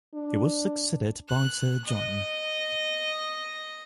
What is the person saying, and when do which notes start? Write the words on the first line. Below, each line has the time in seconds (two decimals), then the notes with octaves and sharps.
He was succeeded by Sir John.
0.14 D4
1.29 F#6
1.85 D#5